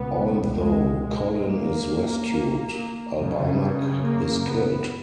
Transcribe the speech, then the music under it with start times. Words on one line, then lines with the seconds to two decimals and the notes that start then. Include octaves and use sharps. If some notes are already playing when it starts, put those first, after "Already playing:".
Although Colin is rescued, Albanac is killed.
Already playing: C#2 B2 B3
0.59 G#3
1.02 G#3
1.45 A#3
3.18 F#2 C#3
4.04 A#3
4.48 B3